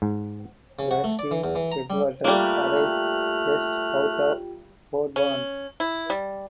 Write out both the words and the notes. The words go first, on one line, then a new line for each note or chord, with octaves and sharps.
The stream headwaters arise just south of Bourbon.
G#2
C#3
F#4
A3
D5
E3
E2
E3
A#5
G3
G3 A3 A#3 F4 G4 G5 F6 F#6
C#4
E4
G3